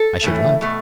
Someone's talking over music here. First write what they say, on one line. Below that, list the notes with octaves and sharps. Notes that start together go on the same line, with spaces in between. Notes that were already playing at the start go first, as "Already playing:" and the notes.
"I should like."
Already playing: A4
A2 E3 A3
B2 A3